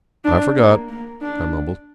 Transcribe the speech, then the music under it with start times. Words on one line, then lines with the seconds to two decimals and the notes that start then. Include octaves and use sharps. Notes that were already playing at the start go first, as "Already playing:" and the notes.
"I forgot," I mumbled.
0.25 D4
0.57 A#3
0.89 A#3
1.21 D4